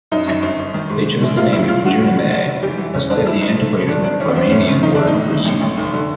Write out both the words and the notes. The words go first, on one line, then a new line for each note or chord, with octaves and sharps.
They chose the name "Junimea", a slightly antiquated Romanian word for "Youth".
F#2 D#4
F#2
G1
G1
D#3
G#2
G#2
A#1
C3 F4
C#2 E4
C#2 F4
D#3 F#4
F1
C3
F1
F1
E3 G4
E3
E2 C#4
E2 D4
F2 E4
F1 D#4
F2
F1
D#3 D4
D#3 D4
G#1 C#4
B3
F#2 C4
G1 C#4
D#3
G1 D#4
G1 D4
D#4
A2
A2
A1
A1
F1
D3